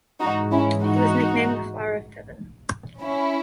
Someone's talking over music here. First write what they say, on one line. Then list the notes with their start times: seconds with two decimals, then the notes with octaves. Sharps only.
He was nicknamed "the flower of Devon".
0.20 G#2 E3 G#3 D#4 F#4
0.52 C#4 E4
0.83 D#4 F#4
3.02 C#4 E4